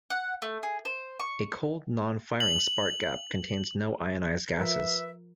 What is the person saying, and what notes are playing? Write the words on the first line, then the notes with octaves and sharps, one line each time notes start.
A cold, non-firing spark gap contains no ionized gases.
F#5
A3
G#4
C5
C#6
F#7
F3 A#4 B4 E5